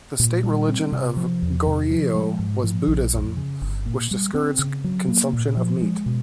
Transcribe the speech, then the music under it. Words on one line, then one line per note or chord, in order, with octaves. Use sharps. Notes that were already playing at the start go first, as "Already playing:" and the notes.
The state religion of Goryeo was Buddhism, which discouraged consumption of meat.
A#2
G3
C4
C3
F3
E2
C3
F3
G#3
G#2
F3
A#1
F2
C#3
G1
A#2
G3
C4
C#3
F#3
A#3
A#2
F3
G#3
B2